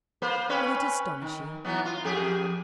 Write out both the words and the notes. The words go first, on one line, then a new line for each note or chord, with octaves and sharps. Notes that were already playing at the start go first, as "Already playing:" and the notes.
Will it astonish you?
A#3 B4 C5
C4 C#4 B4
D#3
E3 F#3 B3
F4
F2 G4 G#4